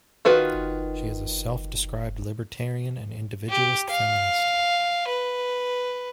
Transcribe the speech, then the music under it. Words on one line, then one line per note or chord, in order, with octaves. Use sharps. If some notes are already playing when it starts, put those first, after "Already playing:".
She is a self-described libertarian and individualist feminist.
D#3 F4 F#4 B4
G4
F5
B4